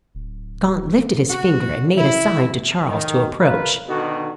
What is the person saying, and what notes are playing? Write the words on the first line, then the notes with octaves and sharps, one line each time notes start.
Gaunt lifted his finger, and made a sign to Charles to approach.
D1
F#4
E4
D#3
F4 A#4 B4
B2 D3 D#3 F#4